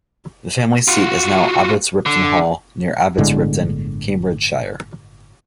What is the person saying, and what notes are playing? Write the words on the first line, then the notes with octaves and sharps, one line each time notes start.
The family seat, is now Abbots Ripton Hall, near Abbots Ripton, Cambridgeshire.
F4 F#4
D3
G1 A2 D3 G#3